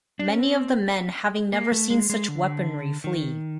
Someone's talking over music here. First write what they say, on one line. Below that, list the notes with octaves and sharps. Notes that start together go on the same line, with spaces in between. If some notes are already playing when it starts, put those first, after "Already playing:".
Many of the men, having never seen such weaponry, flee.
D4
C#4
C4
A#3
A3
G#3
G#3
D3
D#3